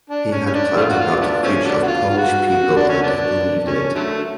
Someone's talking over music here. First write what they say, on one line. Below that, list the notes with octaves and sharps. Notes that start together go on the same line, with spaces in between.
He had plans about the future of Polish people and he believed in it.
D4
C#4
C#4
D4
A3 D4 F4
F#4
F4
F#3 B3 D4
F3 A3 C#4
F#3 B3 D4
F#4
F4
F4
F#4
F#4
D4
C#4
F#3 B3 D4
C#4
D3 F#3 A3